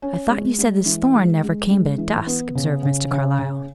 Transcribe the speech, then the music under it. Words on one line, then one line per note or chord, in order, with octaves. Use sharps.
"I thought you said this Thorn never came but at dusk," observed Mr. Carlyle.
C#4
G#3
G#3
E3
G#3
G#3
G#3
E3
B3
C#3
C#3
C#3
C#3